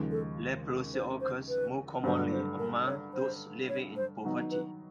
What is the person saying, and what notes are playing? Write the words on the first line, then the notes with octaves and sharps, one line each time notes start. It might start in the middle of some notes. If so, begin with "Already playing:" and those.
Leprosy occurs more commonly among those living in poverty.
Already playing: D#2 C#3 F3 G#3
A4
C5
C5
B4
G2 D3 F#3 A3 D4 C5
C5
A#4
C#5
C5
C#5
C5
D#3 F#3 B3 D#4
B4